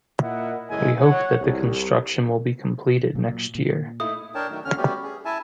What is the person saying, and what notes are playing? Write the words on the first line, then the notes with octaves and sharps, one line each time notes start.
We hope that the construction will be completed next year.
A#2 E4 A#4 D#5 F#5
F#1 A2 G#3 E4 D#5 G#5
C#5 F#5
C2
A#2 F#3
A#2
A3 D#4 E4 D#6
D4 A#4 C#5 G5 A5
D#3 F#3 A3 D#4
E2 D3 C#4 F6
G3 A3 B3 C#4 F#4 G4
G#4
E4 E5 G#5 A5